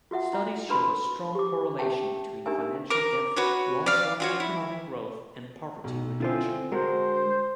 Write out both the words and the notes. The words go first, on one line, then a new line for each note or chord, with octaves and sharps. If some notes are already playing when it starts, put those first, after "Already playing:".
Studies show a strong correlation between financial depth, long-term economic growth and poverty reduction.
F4 F#4 E5 F#5
E4
D4 F#4 B4 B5 C6
G4 D6
C#4 G4 E5 G5 A5
D4 D#4 G4 A#4 E5 G#5
A#4 D6
F#4 B4 C#5
D5 F5
F4 F#4 C#5
E4
B1
D3 C4 E4 F4 C5 G#5
G#3 F#4 A#4 C5